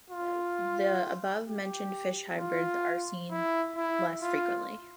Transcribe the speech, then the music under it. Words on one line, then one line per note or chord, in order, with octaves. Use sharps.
The above-mentioned fish hybrids are seen less frequently.
F4
G4
F4
E4
E4
F4